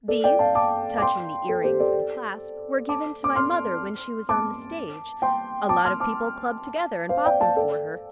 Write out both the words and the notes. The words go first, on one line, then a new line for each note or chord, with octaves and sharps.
These," touching the ear-rings and clasp, "were given to my mother when she was on the stage. A lot of people clubbed together, and bought them for her.
A4 D5
D5 G5
F5 A5
A5 D6
D6
G5 C6
A4
G4 C5
A4 D5
A5 D6
D6
C6 F6
A5 D6
G5 C6
A5 D6
C6 F6
A5 D6
C5 F5
D5 G5
F5 A5
A4 D5